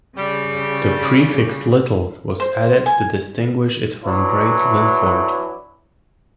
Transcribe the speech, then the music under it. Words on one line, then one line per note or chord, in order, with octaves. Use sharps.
The prefix 'Little' was added to distinguish it from Great Linford.
C#3 G3
C5
G#5
E3 F#3 D4 E4